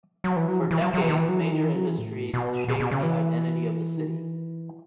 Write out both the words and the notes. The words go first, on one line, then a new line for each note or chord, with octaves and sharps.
For decades major industries shaped the identity of the city.
F#3
E3
F#3
E3
E3
F#3
F#3
E3
D#3
E3
F#3
E3
D#3
E3
F#3
E3
A2
B2
B2
B2
C#3
E3
D#3
E3